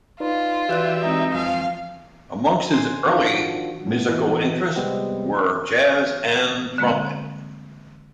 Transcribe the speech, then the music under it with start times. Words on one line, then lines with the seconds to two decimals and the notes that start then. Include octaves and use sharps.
Amongst his early musical interests were jazz and trumpet.
0.20 D#4 F4 B4 D5
0.69 E3 F#4 G4 B4 D5 E5 F#6 A6
1.03 G#3 C4 D#4
1.34 F2 F3 F5 G#5 A5
2.71 G#5 C6
3.06 D#3 F3 D4 F4 F#4
3.86 A2 B3
4.09 B2 E3
4.76 C3 G3 G#3 B3 C4
6.78 D3 G#3 A#3 C4